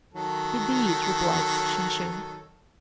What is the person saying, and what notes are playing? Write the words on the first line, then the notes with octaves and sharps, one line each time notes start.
"He did," replied Shinshin.
D#3 F#3 A4